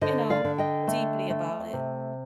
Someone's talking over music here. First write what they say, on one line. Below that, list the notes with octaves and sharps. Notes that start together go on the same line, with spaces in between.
you know, deeply about it.
D3 C5 D#5
D5 F5
D3
D#5 G5
A3
A3
C3